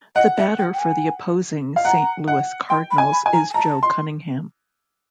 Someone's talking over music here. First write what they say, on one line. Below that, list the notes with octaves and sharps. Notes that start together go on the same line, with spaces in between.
The batter for the opposing Saint Louis Cardinals is Joe Cunningham.
D#5 F#5
E5
G5
G5
G#5
F5
F#5 A#5
F#5
G5 C6
B5
G#5
B5
G#5
A#5
G#5
A5 A#5
C6